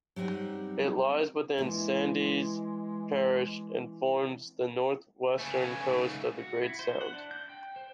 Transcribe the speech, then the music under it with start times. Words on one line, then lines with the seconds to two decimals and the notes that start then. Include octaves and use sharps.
It lies within Sandys Parish, and forms the northwestern coast of the Great Sound.
0.16 F#3 G3 C4 D#4 F#5
1.58 E3 G#3
5.39 C#3 A3 B4 G#5
5.84 G#2
6.39 F#4
6.62 E4
6.79 C5
7.01 F#5
7.13 D4
7.31 G6
7.49 G5
7.76 C5